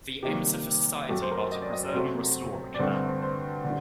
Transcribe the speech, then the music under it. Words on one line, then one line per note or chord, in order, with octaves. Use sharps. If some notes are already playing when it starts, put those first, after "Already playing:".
The aims of the society are to preserve and restore the canal.
C3 D#3 G3 A#3 G4
F#2 F#3 A3 G4
C5
A#4
C5
D#5
D5
D#5
D5
C3 F#3 A3 C4 C5
D5
G2 D3 A3 C4 C5
C5
C5
C5
D3